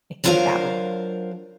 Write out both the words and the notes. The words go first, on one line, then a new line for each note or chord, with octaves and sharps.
I think that would
F#3 D4 F4 A#4 C5 F5